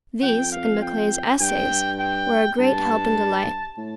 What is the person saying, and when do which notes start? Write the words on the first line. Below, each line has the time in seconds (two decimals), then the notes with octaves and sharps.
These, and Macaulay's "Essays," were a great help and delight.
0.22 F2 G5
0.52 F5
0.82 G5
1.40 G2 G5
2.00 G5
2.59 G2 A5
3.78 A2